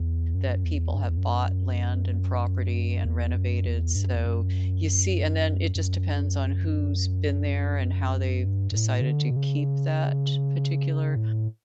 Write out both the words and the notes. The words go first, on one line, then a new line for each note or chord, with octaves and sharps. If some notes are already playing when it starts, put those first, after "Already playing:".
that people have bought land and property and renovated, so you see and then it just depends on who's been there, and how they've decided to keep that particular
Already playing: E2
F#2
E2
G2
F#2
E2
F#2
E2
F#2
E2
G2
F#2
E2
F#2
F#2
G2
G2
A2
C#3
D3
B2
C#3
A2